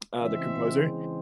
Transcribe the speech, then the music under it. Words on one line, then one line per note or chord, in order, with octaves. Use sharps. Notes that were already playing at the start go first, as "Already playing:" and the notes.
uh, the composer.
C#3 E3 G#3 C4 E5